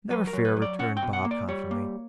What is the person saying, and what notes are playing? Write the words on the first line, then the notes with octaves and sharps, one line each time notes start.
"Never fear," returned Bob confidently.
F#3 B4
A#4
F#3
B4
F#3
D5
C#4 F#5
G5
B2
F#5
A#3
D5
G3 C#5
A#3